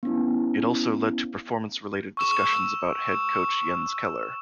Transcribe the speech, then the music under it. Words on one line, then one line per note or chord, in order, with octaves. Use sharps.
It also led to performance related discussions about head coach Jens Keller.
B3 C#4 E4
C#6 E6 E7